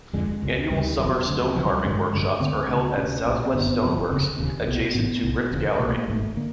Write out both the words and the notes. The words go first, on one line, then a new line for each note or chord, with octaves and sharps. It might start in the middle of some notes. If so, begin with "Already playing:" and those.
Annual summer stonecarving workshops are held at Southwest Stoneworks adjacent to Rift Gallery.
G1 F2 D3 G#3
C#2 C3
D2 C#3 G3
F#1 E2 B2 F#3
D2 D3
D2 C3 F3
F#3
G3
A1 G2 D3 G#3
A1 G2 D3
D2 D3 C4
D2
C#3
D2 C3 C#4
B1 A#2
C4
G1 G2 D3 B3
G1 F2 C3
F1 D#2 C#3 C4
E1 D#2 C#3
C2 B2
A1 G#2 B3
C2 A#2
E1 D#2 C#3
C2 B2 A#3
A3
A#3
G#1 G#2 A3
D3 A#3